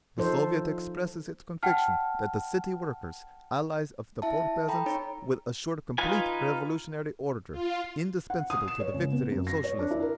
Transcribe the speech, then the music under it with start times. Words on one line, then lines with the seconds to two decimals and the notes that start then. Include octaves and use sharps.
The Soviet expresses its conviction that the city workers, allies of the poor peasants, will assure complete revolutionary order, indispensable to the victory of Socialism.
0.18 F3 D#4 A4 C5
1.63 F#5 G5 A5 F6
4.22 E4 E5 A5
4.38 A5
4.68 A4 G5 A#5 B5
4.86 D#4 C#5 A#5
5.98 D#4 F4 B4 G#5
7.51 F4
8.30 F#5
8.50 D#6
8.68 E7
8.80 C#5
8.94 C#2
9.12 B3
9.31 F#2
9.47 A#6
9.64 C#5
9.79 D4
9.91 E4
10.02 A#4